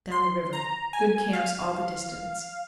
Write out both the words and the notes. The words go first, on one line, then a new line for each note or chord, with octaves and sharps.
Down the River.--Good camps all the distance.
C6
A#5
G#5
F5